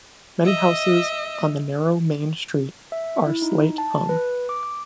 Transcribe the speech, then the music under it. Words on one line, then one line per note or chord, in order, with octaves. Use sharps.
Many houses on the narrow main street are slate hung.
D#5 E5
E5
E4
D#4
A5
B4
D6